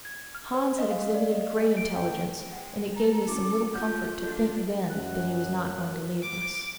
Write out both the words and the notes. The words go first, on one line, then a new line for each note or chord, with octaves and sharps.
Hans had exhibited great intelligence, and it gave me some little comfort to think then that he was not going to leave us.
G#6
F6
C5
D#5
F5
D5
D#5
G#4
D7
G5
G#3 F#5 G5
A4 A#5
C4 C#4 E4 F#4 D6
A3 C#4 F4 A4 F#5 G6
A#3 D4 A4 D#5
F#2 F#6
D6